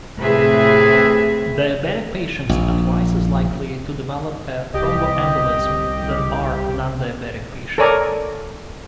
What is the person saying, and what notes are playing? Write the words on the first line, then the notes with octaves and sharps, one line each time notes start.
Diabetic patients are twice as likely to develop a thromboembolism than are non-diabetic patient.
A2 C3 G#4 B4 E5
A#1
C2 G4 D#5
A4 A#4 C#5 D5 G#5 A#5